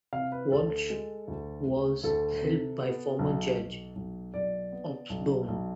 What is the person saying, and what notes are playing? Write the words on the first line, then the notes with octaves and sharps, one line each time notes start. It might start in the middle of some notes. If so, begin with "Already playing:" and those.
Walsh was helped by former judge Osbourne.
C3 F5
B4
D2 A4
G#3
D2
D2
D2 A4
C3
B3
B1
B1
B1
B1 D5
B3
B1
B1